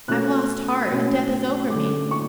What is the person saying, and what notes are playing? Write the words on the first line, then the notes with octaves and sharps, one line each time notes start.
I've lost heart, and death is over me.
B2 A3 C#4 F#6
B2 A3 C#4
D3 A3 C#4 D6
C#6